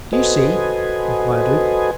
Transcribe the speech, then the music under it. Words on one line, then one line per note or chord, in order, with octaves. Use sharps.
Do you see?' inquired Luke.
F#4 A4 B4 C5 D#5 G#5